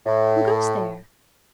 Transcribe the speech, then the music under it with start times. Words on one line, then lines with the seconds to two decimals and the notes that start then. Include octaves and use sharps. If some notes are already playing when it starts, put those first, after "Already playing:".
Who goes there?
0.06 A2